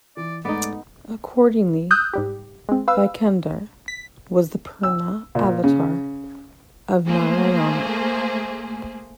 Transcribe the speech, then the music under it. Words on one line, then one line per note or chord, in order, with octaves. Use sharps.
Accordingly, Vaikundar was the Purna avatar of Narayana.
E3 D5
G#2 A3 B3 D#4 A4 D5
D#6 E6 F#6 G6
G#2 G3 G4
G#3 C4
B4 F5 E6
B6
E6
A#2
C#3
A3 A#3 G#4 C5